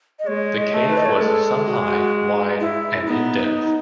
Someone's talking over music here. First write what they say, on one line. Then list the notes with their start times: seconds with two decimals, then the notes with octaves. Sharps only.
The cave was some high, wide and in depth.
0.19 D#5
0.27 G#3 C#5
0.57 D#5
0.74 A3
0.90 B4
0.97 D#5
1.05 C#5
1.13 B4
1.20 G#3 A4
1.66 F#4
1.77 G#4
1.88 F#4
2.60 E4
3.07 B3 D#4